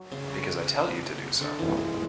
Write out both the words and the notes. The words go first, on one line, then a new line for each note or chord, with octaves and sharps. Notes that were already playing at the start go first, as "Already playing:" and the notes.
Because I tell you to do so.
Already playing: F#3
C#3
D3
E3
G#3